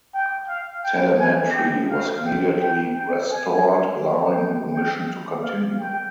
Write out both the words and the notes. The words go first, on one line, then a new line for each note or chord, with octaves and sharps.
Telemetry was immediately restored, allowing the mission to continue.
G5
F5
G5
G#5
G5
F5
G5
G5
G5
G#5
G5
G5
F5
G5